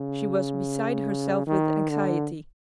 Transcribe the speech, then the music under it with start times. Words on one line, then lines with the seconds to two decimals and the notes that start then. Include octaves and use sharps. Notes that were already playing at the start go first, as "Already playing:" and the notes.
She was beside herself with anxiety.
Already playing: C#3
1.47 D#3
1.90 D3